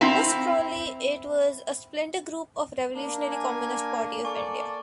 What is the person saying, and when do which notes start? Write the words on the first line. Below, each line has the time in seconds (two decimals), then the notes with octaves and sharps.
Most probably it was a splinter group of Revolutionary Communist Party of India.
0.01 C4 E4 A#5
2.95 A#3 D4
3.32 G#5
4.25 A4 D5 G#5 C#6